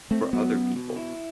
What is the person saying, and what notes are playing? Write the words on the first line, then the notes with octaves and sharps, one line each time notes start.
for other people,
A3 C4
F#3 B3
F#2
B2
E4